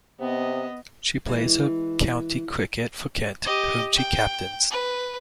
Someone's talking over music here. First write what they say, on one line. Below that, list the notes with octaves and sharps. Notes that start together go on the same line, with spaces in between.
She plays her county cricket for Kent, whom she captains.
C3 B3 D#5
E3 G#3
G4 D#5
G5
B4